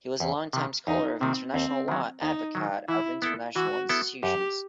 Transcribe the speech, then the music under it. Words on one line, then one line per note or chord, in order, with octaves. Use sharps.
He was a longtime scholar of international law and advocate of international institutions.
E2
C3 D#3
E2 D#4
C3 D#3 C4
D#2 C4
D#3 F#3
D#2 D#4
D#3 F#3
E3 E4
B3 E4 A4
E3 F#4
B3 E4 A4
F#2 G4